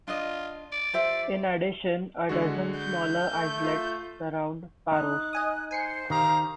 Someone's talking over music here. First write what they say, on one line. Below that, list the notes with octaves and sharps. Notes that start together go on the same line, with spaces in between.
In addition a dozen smaller islets surround Paros.
D4 F4 D#5
D5
G4 C5 E5
D3 G#3 F#4
G6
A3
F4
D#4 F#6
D#5 G#5 D#6
C5 G#5 C7 C#7
D#3 G4 F5 A#5